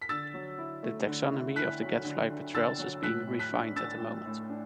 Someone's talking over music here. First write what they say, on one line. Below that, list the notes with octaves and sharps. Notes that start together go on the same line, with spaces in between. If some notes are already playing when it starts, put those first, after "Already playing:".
The taxonomy of the gadfly petrels is being refined at the moment.
B6
D3 E6 A6
F#3
E4
A3
D3
E4
E4 F#6 B6
F#3
D3
D3
D3 E6 A6
F#3
A2 F#6 B6
A2
F#6 B6
D4
D4 E6 A6
A2
A2
D4